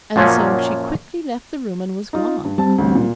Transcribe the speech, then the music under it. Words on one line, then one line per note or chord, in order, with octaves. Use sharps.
And so she quickly left the room and was gone.
F#2 A#2 F3 F#3 A#3 C#4
D#4 F4
G2
G3 C4 A5
A1 D2
A#2